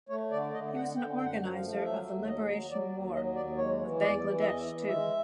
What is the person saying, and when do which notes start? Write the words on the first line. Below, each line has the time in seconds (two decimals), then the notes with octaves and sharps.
He was an organizer of the Liberation War of Bangladesh too.
0.09 A3 C#5
0.31 D3 D5
0.53 D3 D#5
0.74 D3 F#5
0.96 D3 G5
1.16 F#2 G5
1.25 F#5
1.40 F3
1.55 F5
1.61 A3
1.72 F5
1.84 F#3 E5
2.05 D#2
2.26 F#3 D#5
2.49 F#3
2.70 F#3 D5
2.92 D#2
3.14 F#3 D#5
3.35 D#2 D5
3.57 G#3 C#5
3.80 E3
4.01 E2 D5
4.23 E3
4.40 E5
4.44 E2 D#5
4.66 E3
4.88 G#3 E5